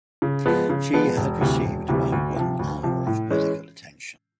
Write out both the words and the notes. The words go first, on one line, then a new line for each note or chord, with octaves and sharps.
She had received about one hour of medical attention.
C#3
F3 G#3 B3
C#3
F3 G#3 B3
E1
D2 C3 E3 G3
E1
D2 C3 E3 G3
D2
C3 F3
D2
C3 F3
A2
E3 G#3 C#4